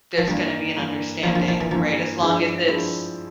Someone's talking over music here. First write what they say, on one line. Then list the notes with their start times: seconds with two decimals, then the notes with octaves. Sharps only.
there's gonna be an understanding, right? As long as it's
0.18 F3
0.27 G2 E3 G3 A#3
0.76 G2 E3 A#3
1.23 G2 E3 F3 A#3
1.35 F3
1.48 F3
1.61 E3
1.71 G2 E3 F3 A#3
2.20 G2 F3 G#3 E4
2.68 G2 F3 G#3 E4